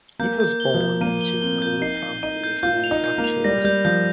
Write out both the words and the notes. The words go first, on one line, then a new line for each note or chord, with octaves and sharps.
He was born into an old family of manufacturers.
A#3 G6
G6
G7
F3
G6
A#3 D#7
G7
C4 G7
G6
D#4 C7
C7
D#4 D#7
G6
F4 G6
F7
D#4
G6
A#3
F7
G3 A#6
G3 G6
F3 G6